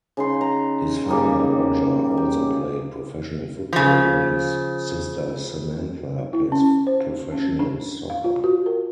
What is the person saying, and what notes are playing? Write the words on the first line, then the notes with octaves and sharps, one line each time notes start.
His father Roger also played professional football, while his sister Samantha plays professional soccer.
C#3 D#4 C6
A#5
C#3 G3 A#3 D#4
G4
C#3 F3
E4
C#4
C5
C#4
D4
F5
F4
F#4
A#4